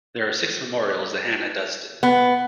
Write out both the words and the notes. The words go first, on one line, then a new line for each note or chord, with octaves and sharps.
There are six memorials to Hannah Duston.
B3